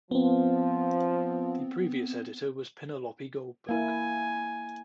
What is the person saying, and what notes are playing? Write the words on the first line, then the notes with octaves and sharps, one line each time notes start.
The previous editor was Pinelopi Goldberg.
F3 B3 C4
A#3 E4 G#5